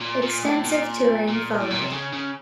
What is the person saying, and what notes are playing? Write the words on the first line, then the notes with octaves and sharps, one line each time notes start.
Extensive touring followed.
A#2
A#2
A2
A#2
A#2
A2
A#2
C3
C#3
C#3